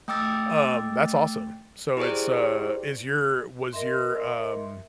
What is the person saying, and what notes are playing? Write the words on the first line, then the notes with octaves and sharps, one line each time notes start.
Um, that's awesome. So it's, uh is your was your, um,
A3 G5 D6 E6 A6
E4 G4 G#4 C5 D5
A#4 D#5 E5 C6